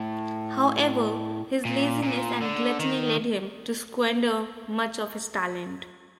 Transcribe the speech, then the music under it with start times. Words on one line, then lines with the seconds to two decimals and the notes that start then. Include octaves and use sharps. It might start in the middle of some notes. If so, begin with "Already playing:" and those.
However, his laziness and gluttony led him to squander much of his talent.
Already playing: A2
1.65 A#2
2.03 A#2
2.42 D3
2.80 D#3